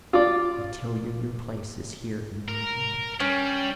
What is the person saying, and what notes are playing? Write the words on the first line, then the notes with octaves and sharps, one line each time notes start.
I tell you, your place is here in my home.
F4 D5
A#4
G3 C#4